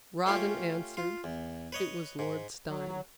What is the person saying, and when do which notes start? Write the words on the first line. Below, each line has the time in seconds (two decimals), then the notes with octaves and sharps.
Rawdon answered it was Lord Steyne.
0.26 A3 C#4 F4 G4
0.97 F4
1.24 E2
1.72 B4 C#5 D#5
2.19 G#2
2.69 F#3